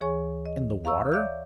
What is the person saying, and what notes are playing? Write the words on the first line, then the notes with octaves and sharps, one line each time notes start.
"In the water?"
D2 E3 G#4 C#5 G#5 C#6
D#5
E5 F5 A#5 C#6 E6
C#5 D5 E5 F5 D6 G6